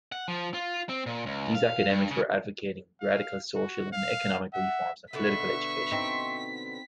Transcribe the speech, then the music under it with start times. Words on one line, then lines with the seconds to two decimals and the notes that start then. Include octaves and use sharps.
These academics were advocating radical social and economic reforms and political education.
0.12 F#5
0.28 F3
0.54 F4
0.89 C4
1.06 A#2
1.26 C#2
1.55 F5
1.90 G2
2.11 C#3
3.01 F5
3.55 F#4
3.92 F5
4.54 E5 F#5
5.13 B2 D3 B3 E5 C#6 B6
5.91 C4 D#4